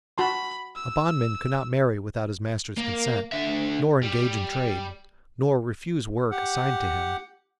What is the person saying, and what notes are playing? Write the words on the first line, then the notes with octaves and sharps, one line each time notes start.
A bondman could not marry without his master's consent; nor engage in trade; nor refuse work assigned to him.
F#4 A5 B5 C6
E6
A#3
D3 E5
G3
G4 F#5